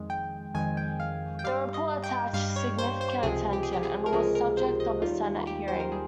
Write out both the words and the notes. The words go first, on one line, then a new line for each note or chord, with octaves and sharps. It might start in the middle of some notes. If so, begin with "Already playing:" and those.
The report attracted significant attention, and was the subject of a Senate hearing.
Already playing: F2 D#3 G#3
G5
F2 D#3 G#3 G#5
G5
F5
G5
G2 G3 F5
D#5
G5
G2 G3 F5
C#5
C5
C5
C#2 C3 F3 G#3 G#4
G4
G#4
G4
G#4
A#4
C#2 C3 F3 G#3 G#4
A#4
C5
D#5
D#2 D#3 G3 F4
G4
C5
A#4
G3 G#4